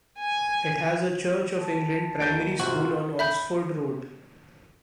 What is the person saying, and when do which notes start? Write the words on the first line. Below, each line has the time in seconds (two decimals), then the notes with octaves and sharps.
It has a Church of England primary school on Oxford Road.
0.19 G#5
1.57 A5
2.20 D#2 G6 A6 D7
2.60 G#2 C3 F4 F#4
3.19 E5 B5 G6